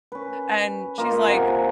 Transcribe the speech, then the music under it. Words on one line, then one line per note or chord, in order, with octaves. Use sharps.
and she's like,
C#4 B4
A#3 F4 D#5
C3 F#5 G#5